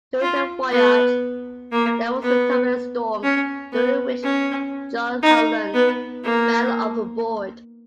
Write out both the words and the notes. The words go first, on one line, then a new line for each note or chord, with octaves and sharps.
During the voyage there was a turbulent storm during which John Howland fell overboard.
F4
B3
A#3
B3
C#4
B3
C#4
D#4
B3
A#3